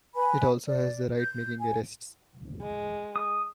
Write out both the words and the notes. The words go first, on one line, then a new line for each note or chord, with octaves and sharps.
It also has the right making arrests.
B4 G#5 B5
D5
G6
G#5
G#3
D#6